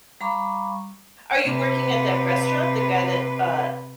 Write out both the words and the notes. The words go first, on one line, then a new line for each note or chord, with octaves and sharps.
Are you working at that restaurant, the guy that, uh,
G3 F5 A#5 B5 C#6 D6
C3 B4